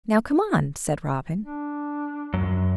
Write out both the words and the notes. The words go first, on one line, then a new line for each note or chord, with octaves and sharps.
"Now, come on," said Robin.
D4
F#2